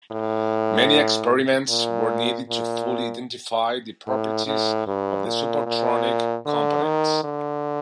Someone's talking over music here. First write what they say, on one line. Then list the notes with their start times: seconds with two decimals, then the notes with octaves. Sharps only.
Many experiments were needed to fully identify the properties of the subprotonic components.
0.11 A2
1.69 A#2
2.49 A#2
4.07 A2
4.46 A2
4.86 G2
5.25 A#2
5.66 A#2
6.45 D3
6.84 D#3
7.24 D3